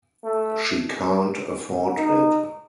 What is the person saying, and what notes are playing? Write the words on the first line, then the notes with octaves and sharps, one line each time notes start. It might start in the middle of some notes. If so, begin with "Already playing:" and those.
She can’t afford it.
A3
D#4